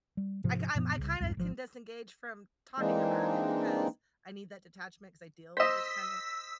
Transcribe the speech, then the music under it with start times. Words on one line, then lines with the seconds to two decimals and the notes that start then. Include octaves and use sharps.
I kin I'm I kinda can disengage from talking about it because I need that detachment, 'cause I deal with this kinda
0.17 G3
0.44 G#2 C3 F3
0.75 F#2 A#2 F3 B3
0.97 C2 C#3
1.20 C2 F2 G#2
1.37 G#1 F3
2.79 E3 G#3 A#3 C4 D4 D#4
5.57 C5 D#5 E6 B6